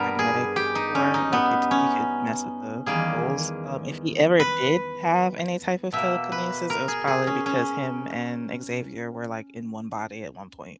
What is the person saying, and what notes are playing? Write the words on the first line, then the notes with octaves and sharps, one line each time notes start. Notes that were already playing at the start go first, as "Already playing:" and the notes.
magnetic core, like it he could mess with the poles. Um, if he ever did have any type of telekinesis, it was probably because him and Xavier were like in one body at one point.
Already playing: G2 G3 B3 A#4
G#4
G4
D#4
C#4
D#4
B3
C#4
E2 D#3 G3 A#3 G#4
B4
B2 A#3 E5
B4
A#4
G#4
G#4
C#4
C#4